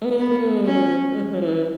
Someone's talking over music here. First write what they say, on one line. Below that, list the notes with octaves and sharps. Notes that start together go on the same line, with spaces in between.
Mm, mhm.
B3
C#4